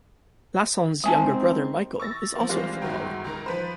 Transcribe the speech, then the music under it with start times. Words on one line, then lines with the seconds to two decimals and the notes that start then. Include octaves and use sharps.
Lacen's younger brother, Michael, is also a footballer.
1.04 D#3 G#3 C4 G#5 A5
2.00 C#6 E6 A6 A#6
2.36 F3 A#3
2.49 E3 G3 G#3 C4 F4
2.82 G1 G#2 D#3 F#3 G5
3.24 C#2 D#3 A#4
3.46 F3 B4 C5